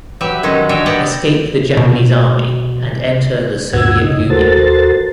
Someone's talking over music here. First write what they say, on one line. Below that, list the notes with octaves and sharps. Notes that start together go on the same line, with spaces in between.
Escape the Japanese army and enter the Soviet Union.
F#3 G4 B4 E5
D#3 F#3 G#3 C#4 D#4
D4 C#5 D#5 E5 G5
B3 G4 F#5 G5 A5 A#5
B2
D2 G2 A#2 F#5 E6 G#6
F#2 C#3 D#4
D#2 F#4 A4 A#4 C5 A6